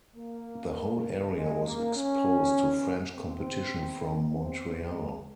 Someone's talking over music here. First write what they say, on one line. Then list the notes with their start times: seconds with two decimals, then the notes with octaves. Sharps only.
The whole area was exposed to French competition from Montreal.
0.16 A#3
1.35 G#3
1.66 A#3
1.95 C#4
3.14 C4
4.32 C4
4.92 G#3